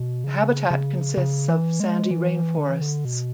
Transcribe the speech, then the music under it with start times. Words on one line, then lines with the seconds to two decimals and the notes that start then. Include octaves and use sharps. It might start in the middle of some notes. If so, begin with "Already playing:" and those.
The habitat consists of sandy rainforests.
Already playing: B2
0.24 C#3
0.71 C#3
1.17 C#3
1.48 E3
1.80 G#3
2.11 E3
2.58 D3
2.70 E3
2.81 D3
3.05 B2